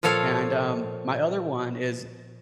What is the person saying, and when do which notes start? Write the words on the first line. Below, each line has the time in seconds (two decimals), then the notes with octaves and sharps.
and, um, my other one is
0.03 A#2 F3 A4 C#5 F5